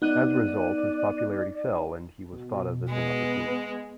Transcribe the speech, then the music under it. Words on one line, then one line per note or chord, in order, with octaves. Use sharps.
As a result, his popularity fell and he was thought of as an opportunist.
B3 D#4 D5 F#6 D#7
B2
G#3 B3